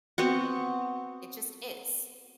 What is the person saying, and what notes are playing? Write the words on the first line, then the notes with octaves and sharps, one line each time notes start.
It just is.
B3 C4 F#4